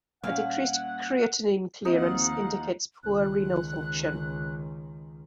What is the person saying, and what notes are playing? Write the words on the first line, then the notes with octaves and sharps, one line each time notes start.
A decreased creatinine clearance indicates poor renal function.
A#2 G3 A#3 C#4 F5 F#5
D#2 F3 C4 D#4 F#5
C#2 D#3 F#6